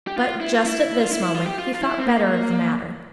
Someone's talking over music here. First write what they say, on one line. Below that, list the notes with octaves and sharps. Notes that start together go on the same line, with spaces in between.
But just at this moment, he thought better of the matter.
G4
F4
E4
F4
E4
F4
E4
E4
F4
G4
F4
F4
E4
C4
A#3